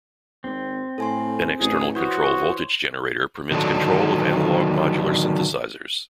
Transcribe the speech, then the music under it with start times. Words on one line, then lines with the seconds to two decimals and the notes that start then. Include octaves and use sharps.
An external control voltage generator permits control of analog modular synthesizers.
0.44 G#1 C4
0.98 A2 A4 G#5 C6
1.60 A1 E4 G4 G#4
1.95 E3 F#4 C5 C#5 C6 D#6
3.51 D3 D#3 F#3 D4 G4 A4